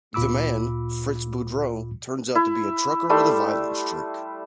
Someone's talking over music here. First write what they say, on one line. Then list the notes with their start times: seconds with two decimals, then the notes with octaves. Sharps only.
The man, Fritz Boudreau, turns out to be a trucker with a violent streak.
0.14 D2 A#2 F4 B5 D6 E6
2.35 E4
3.09 G3 A3 C6